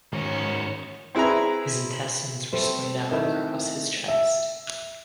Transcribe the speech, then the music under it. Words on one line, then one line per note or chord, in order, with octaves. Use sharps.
His intestines were splayed out across his chest.
G#2 D#3 C#4 F#4 C#5
C4 E4 G#4 B4 A#5
G3 A3 C4
D#3 A3 E4
E5